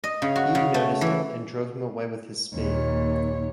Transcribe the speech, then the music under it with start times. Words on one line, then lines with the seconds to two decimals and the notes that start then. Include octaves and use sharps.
B noticed it and drove him away with his spade.
0.04 D#5
0.22 C#3
0.36 F#4
0.55 C#3
0.74 A3
1.01 E3
2.55 D#2 A#2 C#5